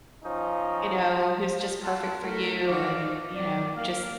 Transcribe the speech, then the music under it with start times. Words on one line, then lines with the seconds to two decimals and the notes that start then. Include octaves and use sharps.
you know, "who's just perfect for you and," you know, "just
0.24 F3 C#4 D#4
1.82 F4 F#5 A5
2.22 A3 E4 A#4
2.66 D#3 F#4 D5 F5 D6
2.97 D#4
3.34 F#3 D5
3.76 A#3 F5